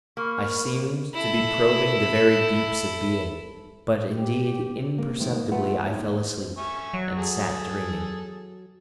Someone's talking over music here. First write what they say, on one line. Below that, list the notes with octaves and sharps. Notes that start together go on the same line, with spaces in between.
I seemed to be probing the very deeps of being, but indeed imperceptibly I fell asleep, and sat dreaming.
A#3 B5 C#6 F6
E4 A4
G4
A#3
D#3 F3 A3 A#3
B2 A#3
A3 F4 G4 B4 F#5
D#2 A2 C#5
C5
E5 G#5 C#6
F#3
G#4 A4